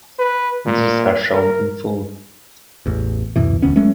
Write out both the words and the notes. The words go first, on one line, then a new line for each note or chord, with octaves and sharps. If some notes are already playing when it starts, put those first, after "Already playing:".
These are shown in full.
B4
A#2
A#4
A1 E2
D1 F#2 B2 E3
E1 D2 B3 C#4
F#3 G#3 A3 C#4